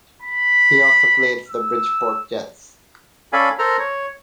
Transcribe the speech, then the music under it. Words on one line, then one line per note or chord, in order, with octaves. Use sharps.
He also played for the Bridgeport Jets.
B5
E6
C#4 A4 D5 F5 G#5 B5
A4 A#4 C5 A#5 F6
C#5